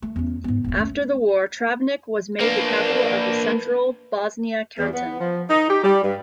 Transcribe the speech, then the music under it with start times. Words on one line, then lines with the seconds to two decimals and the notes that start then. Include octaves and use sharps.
After the war, Travnik was made the capital of the Central Bosnia Canton.
0.02 A3
0.16 E2 C#4
0.44 G#2 B3
0.64 E1 D2
0.77 A3 C#4
2.41 A#3 D4 B4
4.78 E2
4.94 B3
5.20 F3
5.49 D#4
5.70 G4
5.84 G3
6.03 G2